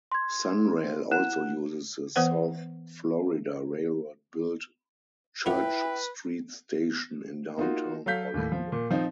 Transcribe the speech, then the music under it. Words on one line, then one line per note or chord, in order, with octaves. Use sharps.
SunRail also uses the South Florida Railroad-built Church Street station in downtown Orlando.
C6 G#6
E4 F#5 F#6 E7
E3 B3 B4 C5 F#5
E4 F4 B4 E5 F#5 G5
A#3 D#4 F4 F#4
F#3 A4 F5 G6 B6
D#2 A2
F3
A#2
F3 C4 D#4